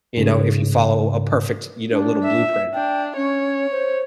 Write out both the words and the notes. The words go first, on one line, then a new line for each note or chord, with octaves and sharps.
you know, if you follow a perfect, you know, little blueprint.
G#2 C#3
D4
E5
D4 G5
C#4 C#5
C5